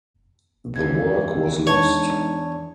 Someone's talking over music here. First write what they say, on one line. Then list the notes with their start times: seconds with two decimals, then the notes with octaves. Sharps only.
The work was lost.
0.76 E2 G2 G#6
1.67 G#2 D4 C#5 A5